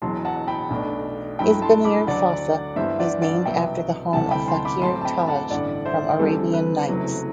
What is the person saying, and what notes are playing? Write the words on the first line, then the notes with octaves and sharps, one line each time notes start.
Isbanir Fossa is named after the home of Fakir Taj from Arabian Nights.
E1 E2 B2 F#3 A5 C6
F#5 A5
G5 B5
B1 B2 A3 D4
G2 F#3 A3 E4 G5 B5
A5 C6
B5 D6
D2 D3 F#3 D5 F#5
G2 E3 G3 B3 C5 E5
D5 F#5
D5 F#5
C2 B2 F#3 B3 E5 G5
D2 C3 E3 G3 F#5 A5
G5 B5
A5 C6
B5 D6
A2 F#3 C4 E4 A5 C6
A5
G5 B5
F#5 A5
A1 G2 D3 D5 F#5
C5 E5
E2 D3 G3 C4 A4
B4
F#1 E2 C3 F#3 A3